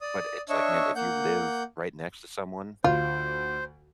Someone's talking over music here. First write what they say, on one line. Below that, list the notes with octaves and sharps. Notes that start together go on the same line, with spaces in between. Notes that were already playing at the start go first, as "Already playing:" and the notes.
But it's like, man, if you live right next to someone
D5 D#6
D4 C#5 D#5 E5 C#6 E6
A#3 F#5 G6
D2 F4 C5